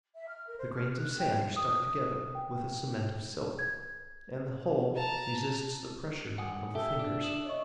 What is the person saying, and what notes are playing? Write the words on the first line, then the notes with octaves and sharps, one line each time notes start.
The grains of sand are stuck together with a cement of silk; and the whole resists the pressure of the fingers.
E5
F6
A#4
C5
F6
F#6
G5
D#6
G5
G#6
A5 A#5
G2 F#5 G#5 D#6
G4 A4 E5 A5 G7
D4
D#6 E7 F#7
C#5 D#5 C#6